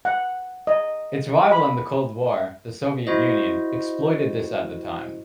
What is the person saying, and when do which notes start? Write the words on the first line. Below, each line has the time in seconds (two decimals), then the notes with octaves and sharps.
Its rival in the Cold War, the Soviet Union, exploited this at the time.
0.05 F#5
0.67 D#5
1.52 B5
3.07 E4 F#4 C5 D#5